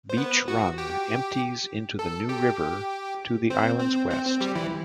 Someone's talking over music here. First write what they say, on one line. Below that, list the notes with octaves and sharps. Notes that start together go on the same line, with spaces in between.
Beech Run empties into the New River to the island's west.
C5
B3 B4
F#4 F#5
G4 G5
A4 A5
G4 G5
C4 C5
C4 C5
C4 C5
C4 C5
G3 G4
E3 E4